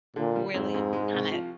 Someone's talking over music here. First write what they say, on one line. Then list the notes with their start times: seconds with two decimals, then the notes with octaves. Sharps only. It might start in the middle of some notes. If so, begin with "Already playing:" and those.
Really kinda
0.16 A#2 D3
0.36 G3
0.54 F2 G#2
0.74 F2
0.93 G#3
1.12 C2
1.31 F3